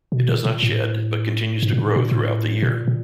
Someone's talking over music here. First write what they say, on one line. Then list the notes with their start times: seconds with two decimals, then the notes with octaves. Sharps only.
It does not shed but continues to grow throughout the year.
0.12 B2
0.29 A#2
0.45 A#2
0.63 A2
1.62 G#2
1.73 A#2
1.78 A2
1.96 A#2
2.11 A2
2.62 A#2
2.88 A#2